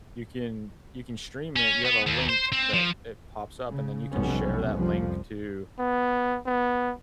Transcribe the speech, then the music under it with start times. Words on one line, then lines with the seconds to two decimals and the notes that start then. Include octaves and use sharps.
You can you can stream it. You have a link that it pops up and then you can share that link to,
1.56 C#4
1.85 B3
2.07 D#2
2.29 C5
2.52 C4
2.74 F3
3.68 C#3
4.12 F1 B1 B2 G3 B3 C#4
4.71 C2 F2 F3
5.79 B3
6.46 B3